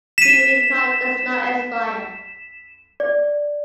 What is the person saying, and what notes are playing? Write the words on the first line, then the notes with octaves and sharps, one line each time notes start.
Viewing card does not expire.
B6 D#7 E7
D5